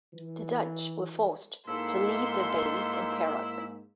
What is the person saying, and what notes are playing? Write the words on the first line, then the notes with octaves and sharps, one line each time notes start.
The Dutch were forced to leave their base in Perak.
E3
G#2 A#3 E4 A4 C6